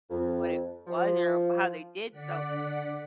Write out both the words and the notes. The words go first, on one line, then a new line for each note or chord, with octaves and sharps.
what it was or how they did, so,
F2
F3
D3 D5 F#5 B6